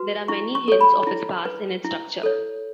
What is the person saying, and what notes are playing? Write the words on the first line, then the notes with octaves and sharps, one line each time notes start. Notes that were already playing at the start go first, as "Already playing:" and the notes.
There are many hints of its past in its structure.
Already playing: F#4 B4
E4 C#6
C#6
A4 C#5
B5
E4
B4
E4
A4 C#5